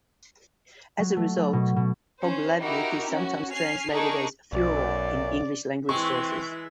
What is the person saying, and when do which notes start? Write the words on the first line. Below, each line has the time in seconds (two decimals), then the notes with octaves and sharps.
As a result, "Poglavnik" is sometimes translated as "Fuhrer" in English-language sources.
0.99 F#3
1.16 A3
1.37 A3
1.53 B2
1.76 B2
2.20 C#4 C5
2.60 D#4 E4 F#4 G4 A#4
3.09 C#4 F#4
3.51 C#4 G#5 F6 C7
3.90 D4 D#4 G#4 A#4 C#6
4.52 B1 F#2 D5
5.89 E3 G#3 C4 E5 C#6